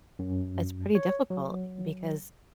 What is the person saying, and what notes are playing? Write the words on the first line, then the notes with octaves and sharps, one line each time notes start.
it's pretty difficult because
F#2
C#5
F#3